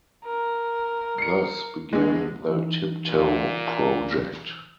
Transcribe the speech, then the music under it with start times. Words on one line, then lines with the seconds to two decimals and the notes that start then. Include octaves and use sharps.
Thus began the Tip Tow project.
0.25 A#4
1.18 C7 C#7
1.93 D3 G#3
2.51 E3 D#4
3.09 A#2